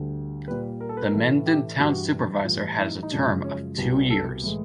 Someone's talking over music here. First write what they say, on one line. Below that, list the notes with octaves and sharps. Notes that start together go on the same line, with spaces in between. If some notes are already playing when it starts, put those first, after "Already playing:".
The Mendon Town Supervisor has a term of two years.
Already playing: D2 D3 G3
A#2 G3 B4
A#4
A4
B4
A#4
A2 E3 A3 A4
G4
G2 E3 G3 F#4
A2 E3 G3 F4
E4
D#4
D#4
F#2 C#3 F3 G#3 D4
C#4
C2 B2 G3
A4
A2 E3 G#3